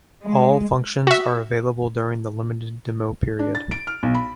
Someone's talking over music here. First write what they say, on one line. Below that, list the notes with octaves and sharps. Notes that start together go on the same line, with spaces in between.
All functions are available during the limited demo period.
G#3
F#4 E5
D4
A6
D7
F6
B1
B5